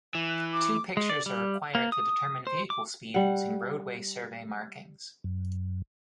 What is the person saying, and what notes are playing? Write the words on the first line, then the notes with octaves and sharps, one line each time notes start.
Two pictures are required to determine vehicle speed using roadway survey markings.
E3
F#6
D6
G#3
D5
G3
A#3
D#6
C5
D6
G3 F#5
F#2